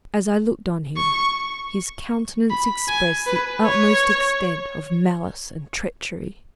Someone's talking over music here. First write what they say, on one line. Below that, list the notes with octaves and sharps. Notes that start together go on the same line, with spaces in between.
As I looked on him, his countenance expressed the utmost extent of malice and treachery.
C#6
B5
G#5
B4
C#5